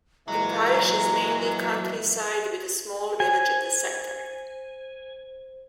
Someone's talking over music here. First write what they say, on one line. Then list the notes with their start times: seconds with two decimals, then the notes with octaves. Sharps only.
The parish is mainly countryside with a small village in the centre.
0.28 A#2 E3 F#3 G#3 A#5
3.20 C5 G#5